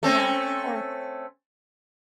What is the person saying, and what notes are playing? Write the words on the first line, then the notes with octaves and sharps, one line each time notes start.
Yeah or
A3 C4 C#4